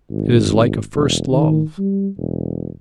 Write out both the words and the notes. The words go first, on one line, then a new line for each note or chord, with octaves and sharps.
It is like a first love.
G#1
E1
D#3
G3
E1